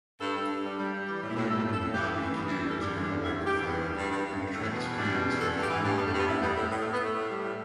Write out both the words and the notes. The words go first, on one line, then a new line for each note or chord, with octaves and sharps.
Blue Ribbon Bar-B-Q is another local favorite, and attracts fans from far and wide.
G2 A4
G2
G2
G3
G3
G3
E3 G4
G4
A2
E4
A2 G4
G3 A4
A2
A4
A2
E3 G4
A2 B3
E3 A3
G3 B3
E4
E3
G4
G3 A4
E2 G4
D3
G4
G3
E2 E4
E2
G4
E2
G2 B3
G3
G2
G2
G2
D3
E2 A3
B2
B3
E2
G3 D4
B2
E2
G2 A4
G2
G4
E3
G2 D4
B3
G3
A3
G2 B3
A2 E4
G3 B3
A2 A3
A2 B3
A3
A2
B3
A2 A3
A2
G3
A2